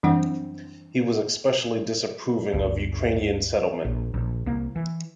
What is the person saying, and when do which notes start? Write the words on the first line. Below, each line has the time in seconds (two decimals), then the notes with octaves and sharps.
He was especially disapproving of Ukrainian settlement.
0.03 F#2 E3 G3 C4 D4 F#5
2.53 G1 D2
3.85 A#1
4.14 A#1
4.46 C2 A#3
4.76 E3